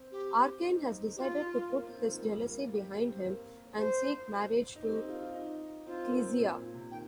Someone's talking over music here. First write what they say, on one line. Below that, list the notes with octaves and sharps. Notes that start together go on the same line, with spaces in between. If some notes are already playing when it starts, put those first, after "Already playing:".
Arcane has decided to put his jealousy behind him and seek marriage to Clizia.
Already playing: C4
G4
D#4
G4
F4
A#3
C4
D#3
F3
A#3
G3
A#3
G4
C4
A#3
C5
D#4
C4 G4 A#4
D#4
F4
F4
D#4
C4 F4
A#3
C4
A#2
A#2
C3
D#3 G5